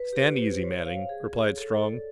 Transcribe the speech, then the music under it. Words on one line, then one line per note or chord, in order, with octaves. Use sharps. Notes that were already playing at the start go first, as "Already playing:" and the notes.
"Stand easy, Manning," replied Strong.
Already playing: B4
G4
C5
C#5
F5
G#4
C#5
A4
D5